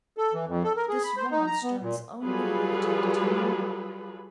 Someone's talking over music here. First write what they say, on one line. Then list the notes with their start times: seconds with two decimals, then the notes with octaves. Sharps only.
This remonstrance only irritated him the more.
0.18 A4
0.34 E3
0.48 F2
0.64 A4
0.76 A#4
0.89 G#4
1.04 B5
1.17 C5
1.31 D#4
1.46 A#5
1.63 B3
1.82 A#2
2.23 F#3 G3 F4 G#4 A4 B4